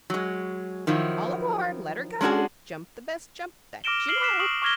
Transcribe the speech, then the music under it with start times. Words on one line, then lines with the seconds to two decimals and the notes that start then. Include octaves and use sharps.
"All aboard! let 'er go! Jump the best jump that you know."
0.10 F#3 G#3
0.87 D#3 F3 F#3 E4
2.21 G#3 C#4 D4 F#4 G#4
3.84 D6 F6 A#6 D7 E7 G7
4.08 D#6 F6 C7 D7 F#7 G7
4.21 D6 F#6 B6 C7 E7
4.39 C#6 D#6 C7 D7 E7 F#7
4.62 C#6 D6 F6 G#6 A#6 G7